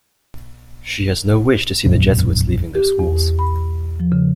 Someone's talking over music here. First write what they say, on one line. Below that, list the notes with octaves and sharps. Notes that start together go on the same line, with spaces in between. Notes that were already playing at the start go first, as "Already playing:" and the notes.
She has no wish to see the Jesuits leaving their schools.
E1 A#1 F#2
G4
E2
B5
F3
C#3